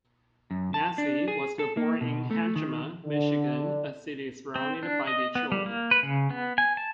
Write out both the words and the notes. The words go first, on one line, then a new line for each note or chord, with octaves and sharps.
Nedzi was born in Hamtramck, Michigan, a city surrounded by Detroit.
F#2
A5
D4
G#4
A4
A#3
B2
A3
D#3
D3
C4
D4
D#5
B3
G3
A#3
B4
C#3
B3
G#5
A5